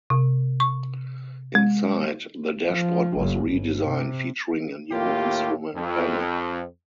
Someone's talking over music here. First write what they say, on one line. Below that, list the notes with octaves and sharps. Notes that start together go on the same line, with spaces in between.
Inside, the dashboard was redesigned, featuring a new instrument panel.
C3
C#6
G#3
F3
F#1
G1
C3
D#2 A2 A#3 F4 G4
F2